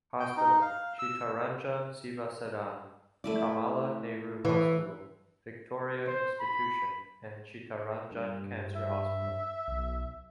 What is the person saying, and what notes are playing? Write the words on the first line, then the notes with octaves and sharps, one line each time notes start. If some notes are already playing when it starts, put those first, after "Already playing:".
Hospital, Chittaranjan Seva Sadan, Kamala Nehru Hospital, Victoria Institution, and Chittaranjan Cancer Hospital.
G5
D#4
F5
E6
A3 E4 D5
E3
C5
B5
G2
E5
B1